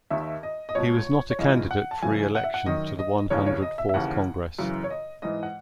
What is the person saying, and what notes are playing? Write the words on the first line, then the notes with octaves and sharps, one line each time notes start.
He was not a candidate for reelection to the One Hundred Fourth Congress.
D#2 D#3 E5
D#5
D#5
C#2 B2 C#5
C#5
C#2 C#3 E3 D#5
F#5
A5
F#2 C#3 E3 G#5
F#5
E5
F#5
F#2 D#3 D#5
D#5
D#2 C#3 E3 C#5
C#5
D#5
E5
E5
D#2 C#3 E3 F#5
F#2 C#3 E3
C#5
D#5
G#2 E3 D#5
F#5